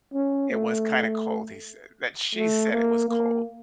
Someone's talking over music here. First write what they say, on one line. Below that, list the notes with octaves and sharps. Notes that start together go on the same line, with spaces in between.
It was kinda cold, he said that she said it was cold.
C#4
A3
A3
A#3
A#3